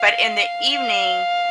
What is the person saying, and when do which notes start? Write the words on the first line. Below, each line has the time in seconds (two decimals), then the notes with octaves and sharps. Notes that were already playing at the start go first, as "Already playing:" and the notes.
But in the evening
Already playing: F5
0.72 F5